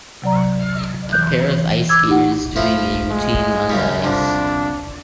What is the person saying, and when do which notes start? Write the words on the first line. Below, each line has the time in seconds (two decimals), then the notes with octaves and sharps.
A pair of ice skaters doing a routine on the ice.
0.22 C3 F#3 D5 A#5
1.12 E3 F#6 G6
1.44 E3
1.89 D6 E6 G#6
2.07 D#4 G4 F#5
2.56 F3 A3 E4
3.11 G#3
3.70 F#2 C#3 G3
4.04 C2 F2 D3 D4